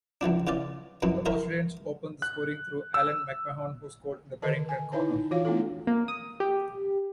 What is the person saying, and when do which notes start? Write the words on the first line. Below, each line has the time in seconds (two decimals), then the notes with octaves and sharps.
The Australian's opened the scoring through Allan McMahon who scored in the Paddington corner.
0.21 C#2 E3 F3 D4
0.47 C#3 E3 F4 D5
1.02 F#2 B2 E3
1.26 E3 A#4 C5 E5
2.22 F#6
2.94 E6
4.42 D3 D#3 A4 D#5 A5
4.69 G#5
4.92 D#4 E4 B4 C#5 A5
5.10 D#4
5.31 E3 F4 F#4 C#5 F5
5.45 A3 B3 D4 E4 F4 A4
5.87 A#3
6.08 D#6
6.40 G4